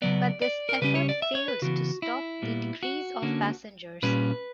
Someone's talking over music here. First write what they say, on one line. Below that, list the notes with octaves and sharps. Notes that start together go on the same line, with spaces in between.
But this effort failed to stop the decrease of passengers.
C#3 F#3 B3 D5
D5
A#4
C#3 G3 C#4 B4
C#5
D5
E5
C#5
B4
C#3 E3 B3 F#4
E4
A#2 G3 B3
F#4
D3 A#3 C#4
A#2 G3 C#4 B4